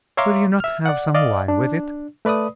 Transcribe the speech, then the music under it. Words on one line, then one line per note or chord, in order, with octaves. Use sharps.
"Will you not have some wine with it?"
C#5 E5 F5 A#5 C6 D6
E5 F6
D5 F#5
D5 D#5 F5
D4
A3 B4 D5 B5 D#6